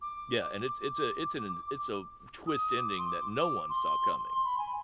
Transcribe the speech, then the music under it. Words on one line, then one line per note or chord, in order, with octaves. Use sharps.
Yeah, and it's it's a it's an it's a twist ending that no one saw coming.
D6
D6
D#6
D6
C6
D6
D6
C6
C6
B5
G#5